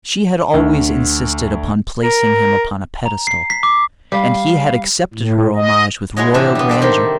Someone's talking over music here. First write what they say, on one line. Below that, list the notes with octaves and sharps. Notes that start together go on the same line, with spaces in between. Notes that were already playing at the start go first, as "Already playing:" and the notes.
She had always insisted upon placing him upon a pedestal, and he had accepted her homage with royal grandeur.
D2
A#4
A#5
C7
B6
D6
G3 F5
A2
D#5
G#3 E4 F#4 C#5 D#5
A2 D3 E3 D4 G4 E5
G3 B3
G4 A4 C5 D5
C3 D#3 G3 C4 G4